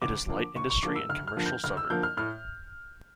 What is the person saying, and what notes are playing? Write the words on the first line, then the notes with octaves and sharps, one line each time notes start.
It is light industry and commercial suburb.
D2 D6
D3 F3 A#3
D2 C#6
C#6
D3 F3 A#3 D6
E6
D2 F6
F6
D3 F3 A#3
G6
D2 F6
E6
D3 F3 A#3 G6
F6
A2 F6